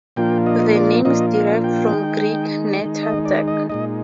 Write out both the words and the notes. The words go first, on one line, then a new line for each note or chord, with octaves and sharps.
The name is derived from Greek "Netta" "duck".
A#2 F3 A#3 D4 F4 G5
D#5
D5
A#2 F3 A#3 D4 F4 D#5
F5
G5
D#3 G#3 D#4
D#3 G#3 D#4
D#5
D5
D#5
A#2 G#3 D#4 D#5